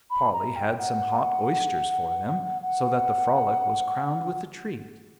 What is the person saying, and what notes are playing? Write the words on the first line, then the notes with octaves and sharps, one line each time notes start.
Polly had some hot oysters for them, so that the frolic was crowned with a treat.
B5
A#5
G5
F#5
F#5